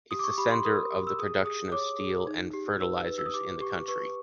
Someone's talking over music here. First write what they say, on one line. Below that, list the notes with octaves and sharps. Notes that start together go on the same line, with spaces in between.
It’s the center for the production of steel and fertilizers in the country.
G4 D#6
D6
C#6
G4 B5
C6
A#4 D#6
G4
E6
G#4 D#6
G#4 D#6
C#5 D6
G#4
D#4
G4
B4 E6
B4
E6
D#6
G4 D6
G4 C#6
B4 C#6